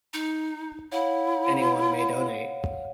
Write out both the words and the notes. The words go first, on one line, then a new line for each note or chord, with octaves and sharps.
Anyone may donate.
D#4
E4 C#5 F5 F#5